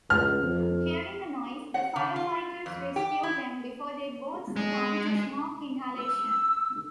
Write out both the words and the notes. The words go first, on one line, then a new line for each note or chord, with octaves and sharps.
Hearing the noise, the firefighters rescue them before they both succumb to smoke inhalation.
C#2 F6
F2
F#5
C#3
F4
F2
G4
E4
G#3
E6